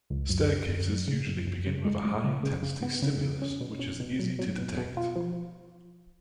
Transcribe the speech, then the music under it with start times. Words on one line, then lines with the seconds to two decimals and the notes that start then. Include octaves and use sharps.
Staircases usually begin with a high intensity stimulus, which is easy to detect.
0.10 C#2
0.29 F#2
0.50 C#3
0.69 F#2
0.88 F#2
1.08 C#3
1.27 F#2
1.47 F#2
1.67 C#3
1.85 G#3
2.05 G#3
2.24 C#3
2.43 C#3
2.63 C#3
2.83 B3
3.02 C#3
3.21 C#3
3.42 C#4
3.61 B2
3.79 C#4
4.00 B2
4.19 F#3
4.39 F#3
4.58 B2
4.78 B2
4.97 F4
5.16 F3